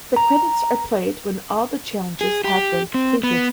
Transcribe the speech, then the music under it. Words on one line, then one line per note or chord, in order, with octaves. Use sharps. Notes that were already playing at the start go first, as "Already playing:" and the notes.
The credits are played when all the challenges have been completed.
A#5
G#4
G4
C4
B3